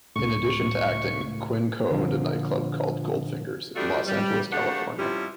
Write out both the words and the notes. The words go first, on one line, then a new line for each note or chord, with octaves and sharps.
In addition to acting, Quinn co-owned a nightclub called "Goldfingers" in Los Angeles, California.
C#2 A2 C#6
A#2 D3 F3 A#3
F3 G3 A3 D4 F4 F#4
G3
C#3 A3 D4 F#4 G4 F#5
C3 F3 G3 C4 C#4 E4